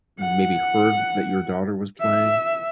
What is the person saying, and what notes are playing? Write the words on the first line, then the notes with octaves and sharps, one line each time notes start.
maybe heard that your daughter was playing.
F#5
E5